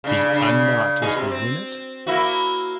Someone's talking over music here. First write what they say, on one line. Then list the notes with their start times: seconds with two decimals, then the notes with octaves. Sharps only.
The unknot is the unit.
0.04 C#3 D4
0.29 C#3 D4
1.02 B2 D#4 G#4
1.16 C3
1.31 C4
2.07 A#3 E4 F#4